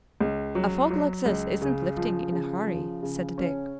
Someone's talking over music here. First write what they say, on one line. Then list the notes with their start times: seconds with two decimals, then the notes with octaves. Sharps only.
"A fog like this isn't lifting in a hurry," said Dick.
0.21 C#2
0.55 F#3
0.90 F#3
1.26 C#2
1.62 C#3
1.97 F3
2.32 C#3
2.67 F3
3.03 C#3
3.38 C#4